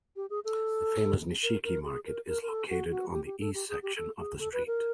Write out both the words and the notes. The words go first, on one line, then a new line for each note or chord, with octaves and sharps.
The famous Nishiki Market is located on the east section of the street.
G4
G#4
A4
A#4
A#4
G#4
A#4
A#4
A#4
A4
F#4
F#4
G4
G4
A4
G4
G#4
G4
A4
G#4
A4
B4
A#4